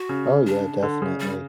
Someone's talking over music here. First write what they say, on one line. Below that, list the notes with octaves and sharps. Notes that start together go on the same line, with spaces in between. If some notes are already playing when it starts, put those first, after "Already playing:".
Oh, yeah. Definitely.
Already playing: F#4
C#3
D4
D3
C#3
G3